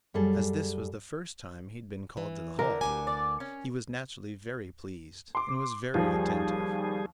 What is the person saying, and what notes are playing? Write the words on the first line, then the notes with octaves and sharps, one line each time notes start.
As this was the first time he had been called to the Hall, he was naturally very pleased, and was very attentive.
F#2 G3 G#4 A4
E3
D3 A#4
D2 D3 G4 G#5
D5
C#4
C6 D6
D#2 F3 G3 G#4